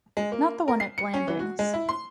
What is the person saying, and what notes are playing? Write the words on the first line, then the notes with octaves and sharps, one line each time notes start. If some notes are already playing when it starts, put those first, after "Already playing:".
Not the one at Blandings?
G#3
A#3
A#4
C7
C#7
C#4
E3
F#4
G#3
E4
C6